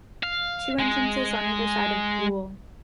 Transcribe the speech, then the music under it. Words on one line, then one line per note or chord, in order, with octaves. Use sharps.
Two entrances on either side of boul.
F5
G#3